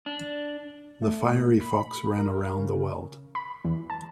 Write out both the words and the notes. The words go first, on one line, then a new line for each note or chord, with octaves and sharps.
The fiery fox ran around the world.
D4
A3
A#2
B5
B5
A#4
C#3
B5
E2
A5